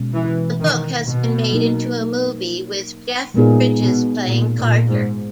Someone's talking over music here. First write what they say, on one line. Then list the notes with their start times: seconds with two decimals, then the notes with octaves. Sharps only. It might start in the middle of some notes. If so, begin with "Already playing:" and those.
The book has been made into a movie, with Jeff Bridges playing Carter.
Already playing: B2 G#3 C#4
0.14 E3
0.60 D#3
1.06 B2
1.51 F#3 A#3 D#4 A#4
3.34 A#2 G#3 B3 D#4 G#4
3.81 B2
4.26 A#2
4.57 A#2
4.88 G#2